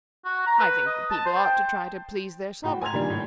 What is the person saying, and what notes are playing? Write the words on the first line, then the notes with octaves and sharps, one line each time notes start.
"I think the people ought to try to please their sovereign."
F#4
A#5
B4
D#5
A5
C5
G5
A2 F#4 G5
G#5 A#5 C6 G#6 F7
A#2 D#3 G3 D4
A2